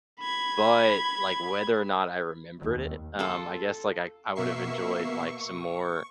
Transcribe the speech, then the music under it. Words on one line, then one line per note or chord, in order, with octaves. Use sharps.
but, like, whether or not I remembered it, um, I guess, like, I I would have enjoyed, like, some more
B5 G#6
D#2
F4 A4
B2 A#3 E5 C#6 C7
C#6